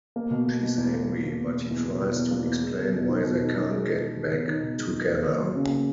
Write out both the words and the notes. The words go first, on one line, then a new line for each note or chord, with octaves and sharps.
She's angry but he tries to explain why they can't get back together.
A#3
B2
A#3
B2
E2
A#3
A#3
A#3
B2
A#3
E2
B2
E2
E2
A#3
E2
G#3
B2
B2
D#4
B2
D#4
D#4
G#3
G#3
G#3
G#3
B2
D#4
B2
G#3
G#3
A#3
A#3
F#3
C#3
A#3